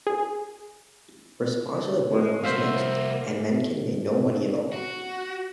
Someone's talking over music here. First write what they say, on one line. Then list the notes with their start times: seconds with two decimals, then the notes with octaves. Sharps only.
Response to the work was mixed, and Mencken made no money at all.
0.07 G#4
2.13 G#3
2.44 C2 A#3 F#4 C5 E5 F5
4.72 F#4